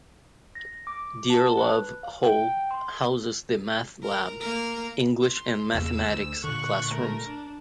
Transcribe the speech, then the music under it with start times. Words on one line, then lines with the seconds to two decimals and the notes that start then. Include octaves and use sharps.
Dearlove Hall houses the math lab, English and mathematics classrooms.
0.55 A#6
0.87 D6
1.30 A5
1.57 B4
2.03 F5
2.25 G5
2.71 C6
4.03 A#4
4.40 A#3 A#4
5.22 C6
5.75 E2 C#3 A#3 E6
6.08 D2
6.44 A#2 D3 C#6 F#6
6.89 A3 A#4
7.26 D4